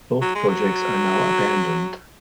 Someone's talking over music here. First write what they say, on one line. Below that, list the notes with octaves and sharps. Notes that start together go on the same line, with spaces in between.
Both projects are now abandoned.
F#3
G#3
F#3